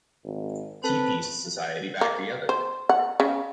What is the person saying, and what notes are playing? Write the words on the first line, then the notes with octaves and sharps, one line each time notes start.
He pieced society back together.
G#1
C4 A4 B4
A#3
C5
F#5
C#3